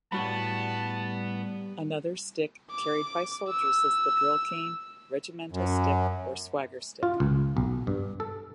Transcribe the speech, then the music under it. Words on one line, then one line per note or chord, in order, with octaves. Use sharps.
Another stick carried by soldiers is the drill cane, regimental stick or swagger stick.
A2 G3 B3 F#4 A5 B5
D6
E6
F#2
F4
C#2
B1
G2
A4